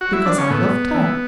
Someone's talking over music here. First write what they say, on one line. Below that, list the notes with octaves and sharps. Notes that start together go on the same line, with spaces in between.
"Because I loved her."
F#4
E4
D4
C#4
A2 B3
E3